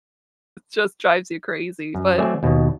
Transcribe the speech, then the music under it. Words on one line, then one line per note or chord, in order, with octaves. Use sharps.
just drives you crazy, but
F#2
F#3 A3 C4 D5 E5 G#5
D#2 B2